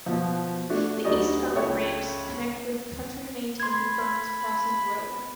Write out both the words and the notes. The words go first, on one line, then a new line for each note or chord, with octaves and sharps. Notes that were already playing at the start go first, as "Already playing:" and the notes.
The eastbound ramps connect with county-maintained Burns Crossing Road.
B2 F3
A3 D4 E4 F#4
D2 F#3 G3 D5 D#5
C#2 A4 C#5 E5 G5
B5 C6 G#6